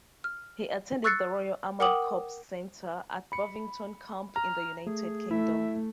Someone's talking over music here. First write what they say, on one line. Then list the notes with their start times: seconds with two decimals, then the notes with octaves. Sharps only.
He attended the Royal Armoured Corps Centre at Bovington Camp in the United Kingdom.
0.24 F6
1.04 C#6 E6 F#6 A6 C7 C#7
1.80 A#4 F#5 G5 D6 D#6 F#7
3.32 B5 C#7
4.36 A#5 F6
4.86 A3 G#4
5.31 A3 E4 E5